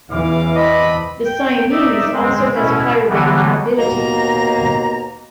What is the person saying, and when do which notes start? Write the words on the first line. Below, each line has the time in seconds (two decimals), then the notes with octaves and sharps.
The Siamese also has a higher rate of morbidity.
0.11 E2 E3 C#4 F5 D6
0.55 C4 D4 D#5 B5
1.25 G5
1.71 D#4 D5 E5
2.12 G#3 C4
2.54 B2 C#4 E4
3.09 D3 E3 F#3 G3 B3
3.78 D#2 B2 A#3 A#5